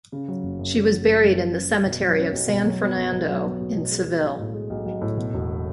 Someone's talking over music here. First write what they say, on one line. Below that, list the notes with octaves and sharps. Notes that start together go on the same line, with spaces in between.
She was buried in the cemetery of San Fernando in Seville.
C#3
F#3
F#1
F#2
C#3
F#3
F#1
F#2
F#3
C#4
B1
B2
F#3
C#4
B1
B2
F#3
B3
B1
B2
F#3
B3
B1
B2
G#3
B1
B1
A2
G#3
B1
B1
A2
B2
E1